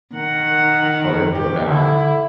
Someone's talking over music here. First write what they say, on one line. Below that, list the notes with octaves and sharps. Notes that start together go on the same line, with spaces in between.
Oh, they'll throw down.
D#3 A#4 F#5
G4
D3 E4